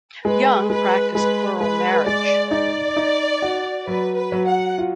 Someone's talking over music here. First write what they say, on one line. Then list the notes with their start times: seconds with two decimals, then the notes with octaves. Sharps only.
Young practiced plural marriage.
0.25 G#3 B4
0.70 G#3 B4
1.15 G#3 B4
1.60 G#3 B4
2.06 G#3 D5
2.51 D#4 D5
2.96 D#4
3.42 F#4
3.87 F#3 B4
4.17 B4
4.32 F#3
4.47 F#5
4.78 F4